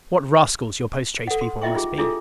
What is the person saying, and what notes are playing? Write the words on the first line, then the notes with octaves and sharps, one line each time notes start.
What rascals your post-chaise people must be!
A4 F#5
C6
E4 F4 D#5 E5 G5 C#6
D#4 F4 G4 G#4
D4 E4 F4 G#4 A4